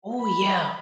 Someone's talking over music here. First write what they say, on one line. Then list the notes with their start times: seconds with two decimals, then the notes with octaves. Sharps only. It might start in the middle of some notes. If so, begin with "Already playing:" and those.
Oh, yeah.
0.20 B5